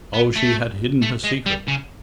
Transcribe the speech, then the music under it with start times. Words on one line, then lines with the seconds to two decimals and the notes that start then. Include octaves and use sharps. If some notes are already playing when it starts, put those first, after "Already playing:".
Oh, she had hidden her secret.
0.14 B3
0.36 A3
1.02 A3
1.24 G#3
1.46 G3
1.68 C#3